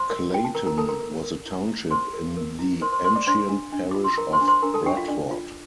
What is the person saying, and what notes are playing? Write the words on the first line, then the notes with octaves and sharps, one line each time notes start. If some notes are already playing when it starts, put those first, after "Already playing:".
Clayton was a township in the ancient parish of Bradford.
Already playing: C5 C6
A#4
F4 G5
A5
A#4 A#5
A#4 A#5
A4 A#4 A5
A#4 A#5
A#4
A#4
E4
E4
A#4 C5 C6
A#4
A#4
E4
A#4 C5 C6
C5 C6
A#4 C5 C6
D5 D6
D4 C5 C6
D4
D4
F4 D6
C6
A#4 A#5
C5 C6
D4
C5 C6
D4 A#4 A#5
A4 A5
D4 G4 G5
F4 F5
D4 D5
F4